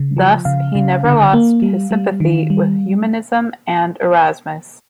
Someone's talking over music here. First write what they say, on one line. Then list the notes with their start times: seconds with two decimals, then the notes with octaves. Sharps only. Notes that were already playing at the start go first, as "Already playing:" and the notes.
Thus he never lost his sympathy with humanism and Erasmus.
Already playing: C#3
0.17 F3
0.45 C#3 F5
0.75 C#3
1.04 D3
1.33 A#3
1.62 G3
1.91 G3
2.20 D#3
2.50 G3